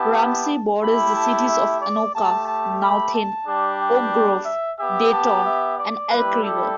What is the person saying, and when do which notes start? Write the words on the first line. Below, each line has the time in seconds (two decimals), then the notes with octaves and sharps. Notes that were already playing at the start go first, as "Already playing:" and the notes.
Ramsey borders the cities of Anoka, Nowthen, Oak Grove, Dayton, and Elk River.
Already playing: B3 E4 G4 A5
0.83 A3 E4 G4 B5
1.16 A5
1.49 E5
1.82 D5
2.15 A3 G4 A5
2.48 A5
2.81 B5
3.13 A5
3.47 G3 D4 G4
3.80 G5
4.46 E5
4.79 B3 G4 E5
5.12 A5
5.45 E5
5.78 D5
6.11 G3 E4 G4 B4
6.44 A4